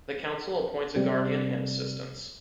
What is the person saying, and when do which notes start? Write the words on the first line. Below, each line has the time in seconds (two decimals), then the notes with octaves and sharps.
The Council appoints a guardian and assistants.
0.96 C3 G3